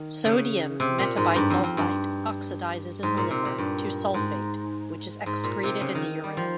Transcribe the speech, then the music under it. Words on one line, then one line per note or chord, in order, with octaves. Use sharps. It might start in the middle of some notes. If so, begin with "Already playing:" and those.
Sodium metabisulfite oxidizes in the liver to sulfate which is excreted in the urine.
Already playing: D#3
C#3
C3
A#2
G#2
G2
F2
F2
G2
G#2
A#2
C3
A#2
G2
G#2
G#2
A#2
C3
C#3
D#3
G3
F3